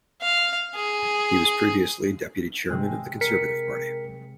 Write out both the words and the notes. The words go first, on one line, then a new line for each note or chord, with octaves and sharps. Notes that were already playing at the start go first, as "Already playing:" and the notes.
He was previously Deputy Chairman of the Conservative Party.
F5
G#4
C3 G#3
A#4 B6 C#7